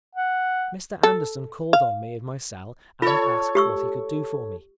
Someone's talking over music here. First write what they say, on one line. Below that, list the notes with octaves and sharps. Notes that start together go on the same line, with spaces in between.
Mr. Anderson called on me in my cell and asked what he could do for me.
F#5
A4
F5
F4 A4 C#5
G4 C#6 E6